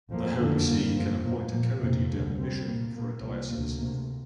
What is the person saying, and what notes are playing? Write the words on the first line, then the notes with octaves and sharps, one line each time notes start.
The Holy See can appoint a coadjutor bishop for a diocese.
F2 F3 A#3
F2 D3 A#3
G2 G3 A#3
F2 F3 A#3
A#2 F3 A#3
A#2 F3 A#3
F2 C3 A#3
D2 D3 G3
C2 C3 G3 C4
A#2 A#3
A#2 A#3
C2 C3 F3 A#3
D2 C3 A#3
D2 C3 A#3